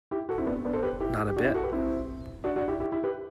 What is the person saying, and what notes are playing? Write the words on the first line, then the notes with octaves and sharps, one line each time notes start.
Not a bit.
E4 G4
F#4 A4
C4 E4
B3 D4
B3 D4
A4 C5
G4 B4
E4 G4
G4
D4 F#4
E4 G4
F#4 A4
G4 B4
C4 E4
D4 F#4
D4 F#4
E4 G4
E4 G4
E4 G4
G4 B4